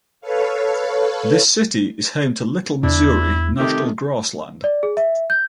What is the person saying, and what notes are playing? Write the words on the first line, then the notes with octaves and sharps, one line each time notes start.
This city is home to Little Missouri National Grassland.
A4 B4 C#5 F5
E2 D4 E4
C3 D#3 A3 G4
D5
G#4
E5
G6